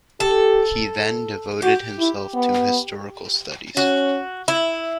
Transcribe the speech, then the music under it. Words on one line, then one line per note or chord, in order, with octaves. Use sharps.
He then devoted himself to historical studies.
G4 A4
F#4 G4
E4
B3
C#4 F#4
E4